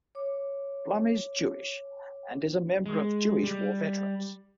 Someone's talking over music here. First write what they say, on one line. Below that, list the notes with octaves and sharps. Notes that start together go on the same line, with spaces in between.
Blum is Jewish, and is a member of Jewish War Veterans.
C#5 D6
G#3
G3